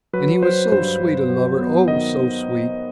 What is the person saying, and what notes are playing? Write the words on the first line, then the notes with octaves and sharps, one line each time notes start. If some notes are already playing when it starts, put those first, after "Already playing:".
And he was so sweet a lover, oh, so sweet.
F#3 B4
F#3 C5
G2 C5
F#3
F#3
B3
D#3 D#5